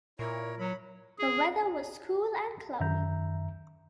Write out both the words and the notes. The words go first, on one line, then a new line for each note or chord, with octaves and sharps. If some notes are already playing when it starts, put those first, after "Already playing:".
The weather was cool and cloudy.
A#2 E4 A#4 C#5
F#3 B5
G#4
F#2 D#3 E5 A#5 G6